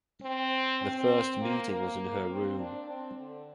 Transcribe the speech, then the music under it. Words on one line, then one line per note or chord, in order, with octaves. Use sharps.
The first meeting was in her room.
C4
C4
A#3
A#3
C4
D4
C4
D3